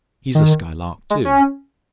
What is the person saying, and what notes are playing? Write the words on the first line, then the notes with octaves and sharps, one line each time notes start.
He's a Skylark too.
D#3
G#3
C#4